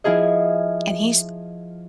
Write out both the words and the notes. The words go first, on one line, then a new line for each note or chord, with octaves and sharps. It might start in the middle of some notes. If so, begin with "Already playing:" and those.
and he's
F3 E4 F4 G#4 D#5